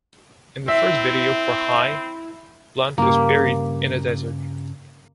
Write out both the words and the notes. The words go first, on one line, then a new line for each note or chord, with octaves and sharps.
In the first video for ‘‘High,’’ Blunt was buried in a desert.
C4 E4 E5
G2 C#3 A#3 G4